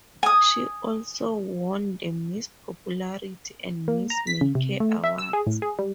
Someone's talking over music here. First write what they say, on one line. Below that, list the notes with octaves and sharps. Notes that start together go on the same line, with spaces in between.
She also won the "Miss Popularity" and "Miss May Care" awards.
G#5 D#6
A#3
A#5
B6
C#3
C3
A3
E5
E6
G#4
A2
G#4
G3